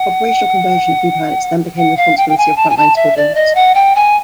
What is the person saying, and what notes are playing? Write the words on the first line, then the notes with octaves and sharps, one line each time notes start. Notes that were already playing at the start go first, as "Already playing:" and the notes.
Operational conversion of new pilots then became the responsibility of front-line squadrons.
Already playing: F#5
F#5
F5
G5
G5
G#5
A5
G#5
A5
E5
D5
D#5
F#5
G5
G#5